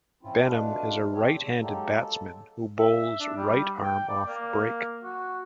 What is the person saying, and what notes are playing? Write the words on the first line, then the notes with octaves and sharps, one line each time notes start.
Benham is a right-handed batsman who bowls right-arm off break.
F3 C4 C#4 E4 F4
B2 A3 D4 F4 B4 F5
C4 D4 F4 G4 A4 C#5
E2
F#3 G#3 A#3 D#4 G4 A4
A4
E5
D4
G3
G5
D5
A#3
F#4